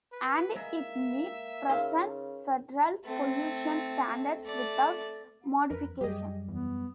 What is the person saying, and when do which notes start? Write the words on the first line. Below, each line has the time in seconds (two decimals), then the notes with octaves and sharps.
And it meets present federal pollution standards without modification.
0.12 B4
0.56 G#3 A#3 E5 A#5
1.70 C#3 D#4 A#4 C5 F5
3.05 A3 C4
4.44 A3 D5
5.70 F2 A#4 B4
6.01 F#2 G3 G4 G#4 D#5
6.48 E2 B3